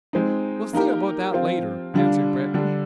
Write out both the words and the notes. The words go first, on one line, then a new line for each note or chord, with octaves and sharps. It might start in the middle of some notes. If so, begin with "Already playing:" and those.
"We'll see about that later," answered Breton.
G#3 C4 D#4
A#3 D#4 G4 A#4
F3 C4 F4
D3 G3 D4 F4
D3 G3 D4